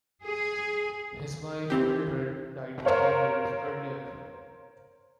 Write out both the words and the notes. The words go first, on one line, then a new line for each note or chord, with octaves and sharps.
His wife, Mildred, died five years earlier.
G#4
E3 C4 G4
A#4 C5 C#5 F5